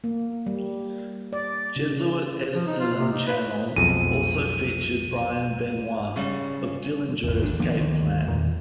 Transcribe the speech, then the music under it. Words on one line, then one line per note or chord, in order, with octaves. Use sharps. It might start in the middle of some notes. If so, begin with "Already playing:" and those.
Jesuit, Edison, and Channel also featured Brian Benoit of Dillinger Escape Plan.
A#3
G3
D5
C#3
F3
D#4
F4
C3
D#4
B4
B1 F2 G#3 D#7
C#3 G3
G#1 E2
A#1 D#2 A#2 D4
D#3 F3 A#3 B3
D2 D#3
E2 A#2 D#3